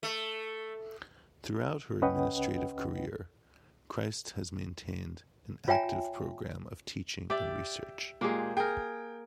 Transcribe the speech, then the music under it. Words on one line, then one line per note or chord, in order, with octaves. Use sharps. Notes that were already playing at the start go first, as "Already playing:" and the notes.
Throughout her administrative career, Christ has maintained an active program of teaching and research.
A3
C#2 C#4 B4 D#5 F#5 G5
F4 C#5 E5 G5 G#5 A#5
G4 D5 E5
A#2 G#3 A#3 G4 G#4
G#4 A#4 G5